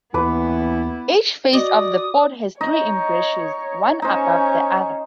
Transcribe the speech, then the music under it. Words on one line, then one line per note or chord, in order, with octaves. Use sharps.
Each face of the fort has three embrasures, one above the other.
D#2 E3 B3 E4 B4 D6
F#4 D5 D#5 D#6
D#4 C#5 D#5
C#4 D#4 C5